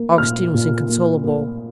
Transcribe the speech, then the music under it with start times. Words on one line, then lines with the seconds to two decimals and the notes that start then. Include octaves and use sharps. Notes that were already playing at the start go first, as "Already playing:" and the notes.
Augustine was inconsolable.
Already playing: A#3
0.18 A#2 F6
0.54 A#2
0.88 A#3
1.23 A#3